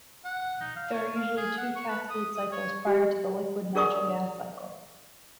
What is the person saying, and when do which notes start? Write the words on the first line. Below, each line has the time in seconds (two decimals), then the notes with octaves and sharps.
There are usually two cascade cycles prior to the liquid natural gas cycle.
0.24 F#5
0.61 D#4
0.76 F5
0.93 C#5
1.16 F5
1.37 G#4
1.58 F#5
1.76 C#6
1.88 B4
2.10 D#6
2.35 D#6
2.52 C#5
2.87 G4
3.75 D4 G#4 A#4 D5 C#6 D#6